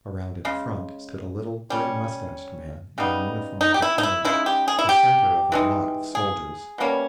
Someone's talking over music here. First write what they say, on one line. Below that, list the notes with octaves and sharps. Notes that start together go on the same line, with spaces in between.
Around in front stood a little, grey-moustached man in the uniform of a general, the centre of a knot of soldiers.
C#3 G#3
G3 C#4
C#3 G3 B3 D#4
D#4
G4
E4
D#4
E4
C#3 G#3 D#4 E4
G4
G#4
E4
G4
E3 G#3 D#4
G#4
B2 G3 A#3 C#4